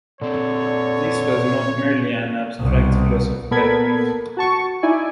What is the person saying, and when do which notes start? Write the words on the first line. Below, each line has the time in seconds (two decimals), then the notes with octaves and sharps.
This was not merely an abstract philosophical point.
0.21 A#2 D3 C4 C#5
2.60 C2 B2
3.51 A#2 B3 A4 A#4 B5 G#6
4.37 F#4 A5 C#6
4.83 D#4 E4 D5 G#5